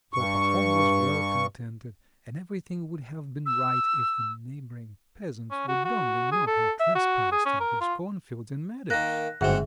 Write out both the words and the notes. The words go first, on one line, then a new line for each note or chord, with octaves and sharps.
So Pahom was well contented, and everything would have been right if the neighboring peasants would only not have trespassed on his corn-fields and meadows.
G2 C#6
E6
C#4
F#4
F#4
G#4
A4
E5
F#4
G#4
C#4
A#4
F4
D#3 A#3 F#6 A#6
G1 G#2 F#3 C4 F#4 G#4 E5 F#5